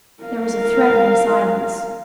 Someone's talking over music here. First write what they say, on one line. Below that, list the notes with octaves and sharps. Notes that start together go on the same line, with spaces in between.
There was a threatening silence.
A#4 F5